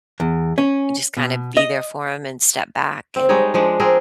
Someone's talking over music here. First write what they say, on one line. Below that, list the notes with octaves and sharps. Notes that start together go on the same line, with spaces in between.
just kinda be there for 'em and step back and
E2
C#4
B2
D#5
C4
G3 G#3 D#4 C#5
F3 G#3 D4
C4 G#4 A#4